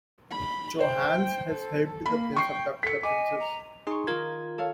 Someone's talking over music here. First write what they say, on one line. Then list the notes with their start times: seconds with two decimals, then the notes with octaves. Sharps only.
Johannes has helped the prince abduct the princess.
0.31 B5
0.80 C5 G5
1.51 A4
2.06 A#3 B5
2.36 G5 C#6 C7
2.83 A4 B6 C#7
3.03 D#5 G#5 D6
3.40 A#5
3.87 D#4 G#4 C6 C#6
4.07 D#3 F4 A#4 G#6
4.58 A4 C#5 F5